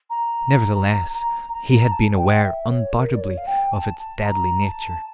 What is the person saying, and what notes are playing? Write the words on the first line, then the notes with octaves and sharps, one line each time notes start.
Nevertheless, he had been aware, undoubtedly, of its deadly nature.
A#5
A#5
A#5
A5
A5
G5
E5
C#5
A#4
D5
C#5
F5
G5
A5
A5
A#5
A5